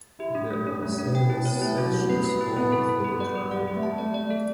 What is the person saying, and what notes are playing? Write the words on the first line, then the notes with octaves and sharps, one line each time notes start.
There are several sections open for the traffic.
E4 G4
D4
A3
C#4 D4
A3
D4
B3 G5
E4
C#5
B3
A3 E4
F#3 C#4
G3 C#4
B3 B4
B4
E4
B3 E4
A4
A4
G4
D5
G4
G3 F#5
G3 G4
A3
A5
A3 D5
D5
A3
A4